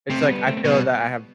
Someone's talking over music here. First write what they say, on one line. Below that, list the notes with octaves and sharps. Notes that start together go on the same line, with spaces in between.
It's like, I feel that I have
C3 A3 C4
G3 B3
A3 C4
C4
B2 G3 B3